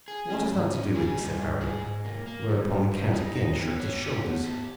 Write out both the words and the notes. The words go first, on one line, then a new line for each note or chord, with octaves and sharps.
"What has that to do with it?" said Harry; whereupon the count again shrugged his shoulders.
G#4
C#4
G#2
C#4
G#4
G3
G#2
G#4
G#2
A#3
A#3
G3
G#2
G3
D#4
D#4
B3
C#5
G4
B3
G4